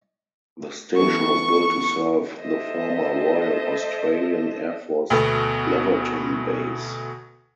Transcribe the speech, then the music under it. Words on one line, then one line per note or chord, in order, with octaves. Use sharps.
The station was built to serve the former Royal Australian Air Force Laverton base.
E3 B3 A4 C#6
A4 C5 D#5 E5
D2 B2 A3 B3